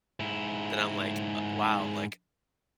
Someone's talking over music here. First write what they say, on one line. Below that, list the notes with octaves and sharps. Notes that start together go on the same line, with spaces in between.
that I'm, like, uh, wow, like,
G#2 E4